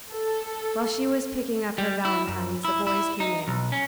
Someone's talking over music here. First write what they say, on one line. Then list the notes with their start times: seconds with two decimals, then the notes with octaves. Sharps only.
While she was picking up her valentines the boys came in.
0.13 A4
1.78 G3
2.05 E4
2.27 F#2
2.65 E4
2.87 E4
3.20 D#4
3.48 B1
3.72 C#4